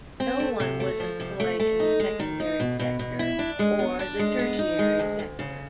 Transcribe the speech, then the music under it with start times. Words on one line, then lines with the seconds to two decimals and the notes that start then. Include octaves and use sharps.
No one was employed in the secondary sector or the tertiary sector.
0.20 C4
0.40 A3
0.60 C3
0.80 A3
1.00 F3
1.20 C3
1.40 A3
1.59 A3
1.80 D#4
2.00 G#3
2.19 D#3
2.40 D#4
2.60 B2
2.79 B2
2.99 B2
3.19 E4
3.39 D4
3.59 G#3
3.79 B3
3.99 D4
4.19 G#3
4.39 B3
4.59 D#4
4.79 G#3
4.99 D2
5.19 D2
5.39 C#3